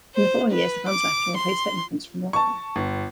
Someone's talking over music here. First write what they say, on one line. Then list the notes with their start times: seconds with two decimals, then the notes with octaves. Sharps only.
In the following years the founders left and were replaced by immigrants from Morocco.
0.15 C5
0.51 B4
0.89 D6
1.37 C6
2.33 A5 C#6
2.76 G1